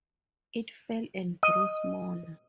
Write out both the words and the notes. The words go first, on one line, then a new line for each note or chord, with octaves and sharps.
It fell and grew smaller.
D#5